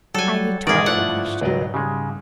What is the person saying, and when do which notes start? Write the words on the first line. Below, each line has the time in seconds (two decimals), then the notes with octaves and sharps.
I retorted the question.
0.14 F#3 G3 A4 G#5
0.67 B1 E2 G#2 D#3 D#4 G#4 A#4 D5
0.86 G1 G#2 F3 A3 E4 F#5
1.41 E1 C#2 F#3 D5 D#5
1.74 C#3 G3 G#3